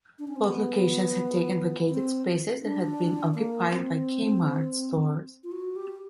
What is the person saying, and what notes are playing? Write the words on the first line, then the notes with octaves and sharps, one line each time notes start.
Both locations had taken vacated spaces that had been occupied by Kmart stores.
D4
C#4
C4
B3
C4
D4
A#3
C4
F4
F#4
G4